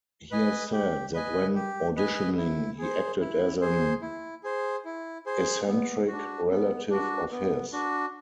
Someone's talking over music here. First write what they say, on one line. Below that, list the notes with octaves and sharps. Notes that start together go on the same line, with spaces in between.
He has said that when auditioning he acted as an eccentric relative of his.
B4 D#5 G#5
G4
B4 D#5 G#5
G4
B4 D#5 G#5
E4
G#4 C5
E4
G#4 C5
E4
G#4 C5
E4
G#4 C5
B3
D4 F#4
B3
D4 F#4
B3
D4 F#4